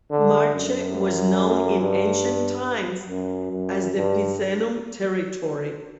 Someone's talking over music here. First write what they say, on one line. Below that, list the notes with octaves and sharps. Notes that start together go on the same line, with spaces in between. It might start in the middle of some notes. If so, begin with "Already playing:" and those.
Marche was known in ancient times as the Picenum territory.
D3
F#2
G2
F#2
F#2
G2